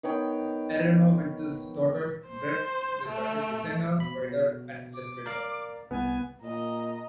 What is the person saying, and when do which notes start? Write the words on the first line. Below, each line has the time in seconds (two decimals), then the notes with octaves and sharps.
Aronowitz's daughter, Brett, is a graphic designer, writer and illustrator.
0.03 D#3 B3 C#5 G5
2.27 C5
3.09 A3
3.97 B2 B5
4.18 B2
4.94 D6
5.26 A#4 D5 F5
5.91 C2 B3 G#5
6.42 A#2 D#5 A#5